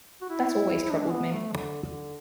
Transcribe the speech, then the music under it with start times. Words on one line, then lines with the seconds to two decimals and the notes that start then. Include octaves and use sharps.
That always troubled me.
0.21 F#4
0.30 E4
0.84 E4
0.91 D4
1.01 D4
1.11 B3
1.32 A3
1.52 D3
1.83 D3